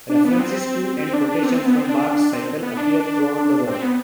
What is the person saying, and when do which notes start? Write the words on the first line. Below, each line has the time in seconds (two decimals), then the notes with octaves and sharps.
References to and quotations from Bach's cycle appear throughout the work.
0.09 D4
0.25 B3
0.39 C4
0.98 C4
1.13 D4
1.29 D4
1.43 C4
1.49 B3
1.55 C4
1.66 B3
1.77 C4
1.89 D4
2.11 D4
2.33 C4
2.63 B3
2.77 D4
3.00 D4
3.67 C4
3.82 B3